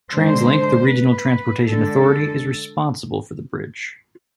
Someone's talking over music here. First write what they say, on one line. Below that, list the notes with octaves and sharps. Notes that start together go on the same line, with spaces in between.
TransLink, the regional transportation authority, is responsible for the bridge.
D3 G#3 D4 C5
B4
D3 G#3 D4 A4